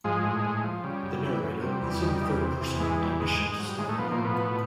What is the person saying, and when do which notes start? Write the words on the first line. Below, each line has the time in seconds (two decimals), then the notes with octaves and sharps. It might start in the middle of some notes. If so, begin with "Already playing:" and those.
The narrator is in the Third-Person Omniscient style.
0.04 G#2 F3 G#3
0.24 A2
0.45 A2
0.63 F3
0.84 C#3 G3
1.03 F#2
1.22 E3
1.43 F#2
1.62 C3 G3
1.82 E2
2.02 D#3
2.22 E2
2.41 C3
2.61 E2
2.80 G#2 E3 G#3
2.99 E2 G3
3.19 G#2 D#3 G#3
3.40 G#2
3.59 G#2 F#3
3.69 G3
3.78 G#2 D#3 G#3
3.88 A2 A3
3.99 B2 F3 B3
4.11 A#2 A#3
4.18 A2
4.24 B2 B3
4.37 A2